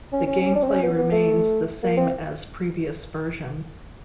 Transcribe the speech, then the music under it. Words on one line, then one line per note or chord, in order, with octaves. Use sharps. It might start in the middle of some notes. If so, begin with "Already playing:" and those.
The gameplay remains the same as previous version.
C#4
C#4
C#4
D4
C4
C#4
B3
B3
A3
A#3
C4